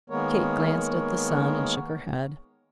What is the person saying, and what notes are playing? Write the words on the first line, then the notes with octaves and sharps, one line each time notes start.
Kate glanced at the sun and shook her head.
D#3 G#3 A#3 B3 A#4 C#5